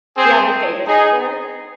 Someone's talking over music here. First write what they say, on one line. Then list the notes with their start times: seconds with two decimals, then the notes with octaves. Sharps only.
Do you have any favorite sport?
0.15 C4 G#4 C5
0.84 D#4 G#4 D#5